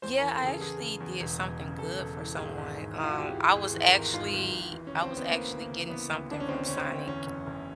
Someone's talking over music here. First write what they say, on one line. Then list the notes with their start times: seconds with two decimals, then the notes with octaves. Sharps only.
Yeah. I actually did something good for someone. Um, I was actually I was actually getting something from Sonic,
0.02 E2 C5
0.18 A#4
0.22 E3
0.32 A4
0.42 C#3 G#4
0.61 E2 G#4
0.81 C#3
1.00 E2
1.20 E1
1.40 E1
1.59 C#3
1.78 E1 A4
1.98 E1
2.18 E3
2.37 G#1 G#4
2.57 G#1
2.77 G#2
2.96 G#1 E4
3.03 F4
3.11 F#4
3.16 E3 G4
3.26 G#4
3.35 E3
3.55 G#1 G#4
3.74 E3
3.84 A#4
3.94 G#1
4.14 G#2 F4
4.33 G#1
4.53 G#1
4.72 E3
4.87 C#4
4.92 D2
5.01 C4
5.11 E3
5.17 B3
5.31 E3 A#3
5.50 D2
5.61 A#3
5.70 C#3
5.90 E3 B3
6.10 D2
6.29 D2 D4
6.40 C#4
6.48 D2 C4
6.67 D2 C#4
6.77 C4
6.88 D2
7.07 E2 C#4
7.27 F#1
7.47 F#1